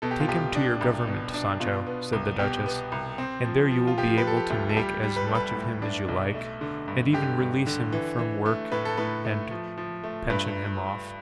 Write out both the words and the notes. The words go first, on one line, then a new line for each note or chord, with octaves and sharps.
"Take him to your government, Sancho," said the duchess, "and there you will be able to make as much of him as you like, and even release him from work and pension him off."
B2 A4
G4
F4
C2 G4
D4
C2
B2
D4
B2 F4
B3
C2
B2 G4
B3
C2
C4
F3
F3
F4
F3 G4
B4
F3 A4
G4
D2
A4
G3 G4
G3
B4
G3 A4
B4
A2
D4
B1
A3
D3
G2
D3 G4
G2
D3
E3
E3
A3
A2 B4
A4
A2 B4
A3
F3
F3
A3
G2 B4